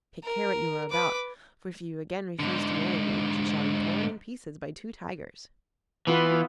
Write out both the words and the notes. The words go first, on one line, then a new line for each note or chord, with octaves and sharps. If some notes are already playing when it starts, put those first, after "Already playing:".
Take care what you are about, for if you again refuse to marry me she shall be torn in pieces by two tigers.'
A#4
B4 D6
G#2 D3
E3 B3 F4